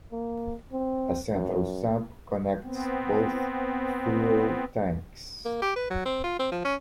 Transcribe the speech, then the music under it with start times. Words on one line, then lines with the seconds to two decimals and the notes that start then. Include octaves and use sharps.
A central sump connects both fuel tanks.
0.12 A#3
0.73 C4
1.34 F#2
2.63 B3 C4
5.45 A#3
5.62 G4
5.76 B4
5.90 F#3
6.05 C4
6.24 F4
6.39 C4
6.52 F3
6.64 C#4